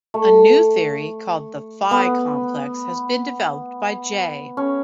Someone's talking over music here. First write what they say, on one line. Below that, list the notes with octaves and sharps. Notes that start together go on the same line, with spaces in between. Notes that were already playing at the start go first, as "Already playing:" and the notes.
A new theory called the phi complex has been developed by J.
A3
B3
C#4